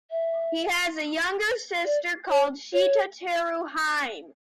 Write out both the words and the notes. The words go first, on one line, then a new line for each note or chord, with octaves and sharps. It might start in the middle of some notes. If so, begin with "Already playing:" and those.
He has a younger sister called Shita-Teru-Hime.
E5
D5
C#5
C#5